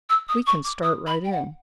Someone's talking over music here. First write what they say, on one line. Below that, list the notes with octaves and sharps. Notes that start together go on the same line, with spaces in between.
"We can start right in."
E6
D#6
C#6
D6
D#6
B5
G5
F#5